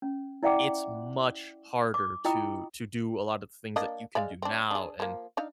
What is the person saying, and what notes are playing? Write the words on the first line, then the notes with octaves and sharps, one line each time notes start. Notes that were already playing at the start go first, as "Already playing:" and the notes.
it's much harder to to do a lot of things that you can do now. And,
C#4
E4 D5 E5 F#5 G5 D6
D6
E4 F4 D#5 G5 B5 D#6
A#3 D4 D#5
G#3 D5 F5
C4 D4
D4 G#4
F3 A#3
D4 D#4 F5